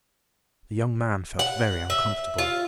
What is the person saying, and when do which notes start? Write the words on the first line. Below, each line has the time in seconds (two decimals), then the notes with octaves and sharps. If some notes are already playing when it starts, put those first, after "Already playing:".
The young man felt very uncomfortable.
1.39 F#5
1.90 E5
2.38 F4